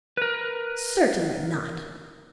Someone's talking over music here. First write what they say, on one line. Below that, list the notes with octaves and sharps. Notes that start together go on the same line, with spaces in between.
"Certainly not!"
A#4 B4